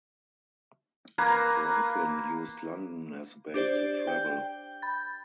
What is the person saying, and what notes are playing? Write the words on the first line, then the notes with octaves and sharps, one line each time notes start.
Franklin used London as a base to travel.
A#3 B4 G#5 A#5
D4 G4 C5 D5
G5 G6
B5 G6 A6